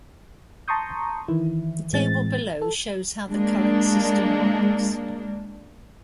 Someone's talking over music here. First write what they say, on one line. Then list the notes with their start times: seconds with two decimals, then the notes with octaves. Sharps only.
The table below shows how the current system works.
0.68 A5 A#5 C6 C#6 D#6 G6
1.28 D#3 E3 E4
1.93 A2 E3 G#3 C4 A6
2.62 A4
3.30 G#3 A#3 D4